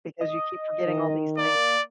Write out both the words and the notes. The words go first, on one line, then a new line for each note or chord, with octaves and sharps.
Because you keep forgetting all these things.
D#5
D#3
A#3 D5